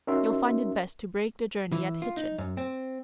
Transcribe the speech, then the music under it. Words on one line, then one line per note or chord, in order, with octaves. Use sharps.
You'll find it best to break the journey at Hitchin.
C#4 D#4 F#4 A#4 E5 C6
E3
F4
D#4
F#2
C4